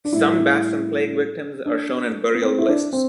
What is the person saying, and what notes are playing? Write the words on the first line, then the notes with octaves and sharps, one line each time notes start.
Some Baston plague victims are shown in burial lists.
D4
A2 G3 E4
D4
B3
C4
E4
D4
C4